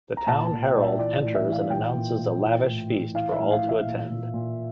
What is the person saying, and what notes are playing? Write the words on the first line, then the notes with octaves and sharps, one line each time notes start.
The town Herald enters and announces a lavish feast for all to attend.
A#5
A#2 A5
A5
A#2
G5
A#2 D5
E5
E3 D5
D5
A2
E5
E3 F5
A#2 G5
A#2
A#2
E3
A2
E3
E3 F5
E5
A2
F5
E3
E5
A#2
A#2
A#2